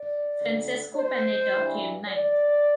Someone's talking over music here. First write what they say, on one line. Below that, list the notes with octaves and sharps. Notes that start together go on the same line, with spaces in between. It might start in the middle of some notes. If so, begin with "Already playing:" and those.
Francesco Panetta came ninth.
Already playing: D5
D2 D3
C5
G2 E3
D5